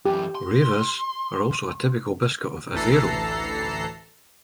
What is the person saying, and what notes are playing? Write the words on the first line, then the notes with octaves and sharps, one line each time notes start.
"Raivas" are also a typical biscuit of Aveiro.
F#2 E3 G4
C6
A1 D2 E3 A4 A#5 C7